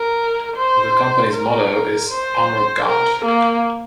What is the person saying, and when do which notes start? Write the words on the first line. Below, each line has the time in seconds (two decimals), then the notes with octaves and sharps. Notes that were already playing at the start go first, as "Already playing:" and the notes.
The Company's motto is "Honour God".
Already playing: A#4
0.56 C5
1.33 A#4
2.10 C5
2.86 A#4
3.25 A#3